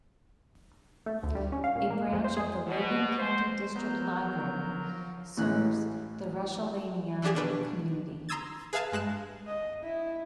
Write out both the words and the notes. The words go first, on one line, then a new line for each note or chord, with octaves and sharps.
A branch of the Logan County District Library serves the Rushsylvania community.
A3
D2
G3
C#4
F5
A#2
A#3
F2
C5
G#4
B2
C5
F3 F#3 B3 A#4 G6
A1 A2 E3 C#4 F#6
E3 F3 D4 G4 G#4
B2 D#3 D4 B4
A#5 C6 D#6 E6 G#6 A6
G#4 B4 E5 F5 G#5 A5
G2 G#3 F#6 E7
D#5
E4